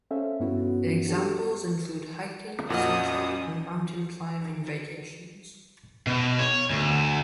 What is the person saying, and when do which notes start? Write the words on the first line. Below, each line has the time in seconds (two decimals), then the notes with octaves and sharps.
Examples include hiking, cycling, and mountain climbing vacations.
0.11 C#4 A4 C5 E5 F5
0.40 G2 B3 C#4 E4 F#4
1.07 D4 F#4 G4 A4
2.70 F2 A#2 C#4 F#4 A#4 D#5 F#5 D#6
6.07 B2
6.39 C#5
6.70 D2